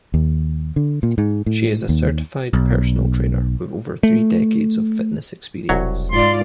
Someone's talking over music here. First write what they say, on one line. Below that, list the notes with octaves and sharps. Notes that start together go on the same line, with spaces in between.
She is a certified personal trainer with over three decades of fitness experience.
D#2
D3
A#2
G#2
A2
D#2
B1
A3
E1 C2 F#3 C#5
G#2 F4 D5 C6